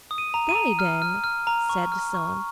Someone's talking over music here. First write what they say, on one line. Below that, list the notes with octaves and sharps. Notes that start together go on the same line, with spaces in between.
'Die, then,' said the son.
D#6
D#7
A#5
D#7
A#5
F6
F6
F6
A#5
C#6
F6
C#6